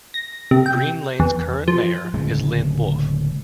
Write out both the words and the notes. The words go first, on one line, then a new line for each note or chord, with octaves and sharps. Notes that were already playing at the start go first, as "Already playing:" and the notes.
Green Lanes current Mayor is Lynn Wolfe.
A#6
C3
G5
E2
F3
D1 C#3 G#3